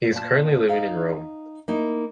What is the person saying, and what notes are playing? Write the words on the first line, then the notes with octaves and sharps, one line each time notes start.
He is currently living in Rome.
A#2 A5
D#4 F5
A#3 D#4 E4